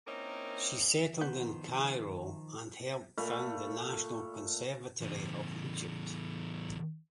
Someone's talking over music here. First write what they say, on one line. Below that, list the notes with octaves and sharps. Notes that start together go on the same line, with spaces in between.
She settled in Cairo and helped found the National Conservatory of Egypt.
A#3 C4 C#4 D#4 E4 A#4
D#3 F3 B3 G6
A#2 A3 F5 B5
E2 A2